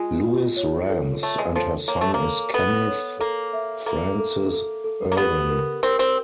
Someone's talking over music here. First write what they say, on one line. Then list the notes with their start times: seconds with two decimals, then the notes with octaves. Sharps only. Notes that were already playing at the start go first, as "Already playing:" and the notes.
Louis Rams, and her son is Kenneth Francis Irwin.
Already playing: G#3 F4
0.24 F4
0.57 C#5
0.90 A4
1.22 A3 C#5
1.38 G#3
1.56 F3 A4
1.88 A#3 C#5
2.01 A3
2.14 A#3
2.21 A4
2.54 B3 A4
2.88 C#5
3.20 A#3 A4
3.53 E5
3.86 A#3 A4
4.19 A4
4.52 A4
4.84 A4
5.12 A#3
5.17 B3 G4
5.50 A#4
5.83 C4 A#4
5.99 C4